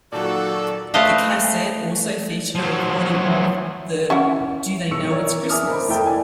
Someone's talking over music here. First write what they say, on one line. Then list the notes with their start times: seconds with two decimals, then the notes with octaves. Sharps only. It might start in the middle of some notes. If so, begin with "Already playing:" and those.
The cassette also featured a recording of the Do They Know It's Christmas?
0.12 A#2 D#3 F#3 F#4 A4 D5
0.94 A3 A4 B4 C5 D#5 F5
2.55 F3 F#3
4.10 C#4 E4 F#5
4.91 B1 C#6 E6 C#7
5.09 E4 A#4 C#5 D5
5.49 E5 G#5 D6 D#6 F6
5.67 A#4 C5 D#5 B5
5.88 E2 E4 A4 G5
6.06 D5 G#5